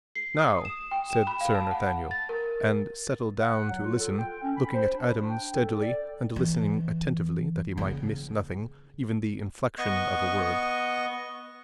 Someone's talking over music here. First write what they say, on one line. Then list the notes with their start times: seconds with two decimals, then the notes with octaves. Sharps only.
"Now!" said Sir Nathaniel, and settled down to listen, looking at Adam steadily and listening attentively that he might miss nothing--even the inflection of a word.
0.15 C7
0.38 D#6
0.65 E7
0.91 G5
1.10 E7
1.27 B5
1.41 F5
1.55 A5
1.71 F#5
2.11 A6
2.29 A#4
3.41 F#5
3.70 F#3
3.84 F4
3.99 A4
4.18 G5
4.43 C#4
4.57 B5
4.74 C5
4.96 D4
5.30 G5
5.54 A4
5.81 D5
6.36 E3
7.78 C#3
9.78 B3 D#5 C#6